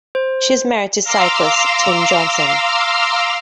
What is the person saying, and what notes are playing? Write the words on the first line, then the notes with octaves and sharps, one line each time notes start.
She is married to cyclist Tim Johnson.
C5
F5 A#5 C6 D6 E6 F6